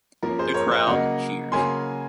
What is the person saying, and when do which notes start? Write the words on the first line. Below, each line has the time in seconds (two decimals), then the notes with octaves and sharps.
The crowd cheers.
0.23 F3 A#3 C#4 A#4
0.39 G#4 C5
0.54 A#4 C#5
0.71 C5 D#5
0.87 C#3 F#3 A#3 D#5 F#5
1.52 C#3 F#3 A#3 C#4 G#5 C6